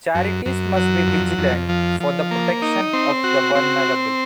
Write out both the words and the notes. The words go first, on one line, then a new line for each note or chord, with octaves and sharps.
Charities must be vigilant for the protection of the vulnerable.
F#2
F#2
F#3
F2
F2
F3
F3
A#3
D#4
C4
F#4
C4